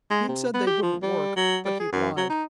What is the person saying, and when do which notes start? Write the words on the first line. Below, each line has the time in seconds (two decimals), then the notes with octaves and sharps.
He'd said they wouldn't work, but he'd lied.
0.11 G#3
0.29 C3
0.54 B3
0.67 G4
0.83 F3
1.03 G3
1.37 F#3
1.65 G3
1.80 G#4
1.92 F#2
2.17 F#3
2.30 D#4